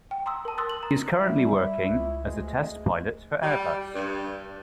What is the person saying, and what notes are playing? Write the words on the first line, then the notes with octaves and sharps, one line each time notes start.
He is currently working as a test pilot for Airbus.
G5
A#5 C6 D#6 E6
A#4 A5
C6 D#6 E6 F#6 A6
F#7
A#5
G3 E4
C#2
D2 G#3
G3
G2